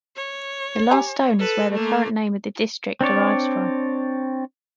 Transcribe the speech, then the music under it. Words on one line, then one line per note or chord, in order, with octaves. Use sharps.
The last stone is where the current name of the district derives from.
C#5
G4 G#5 A#5
A4 B4
A3 A#3
C4 D4 C#5 D5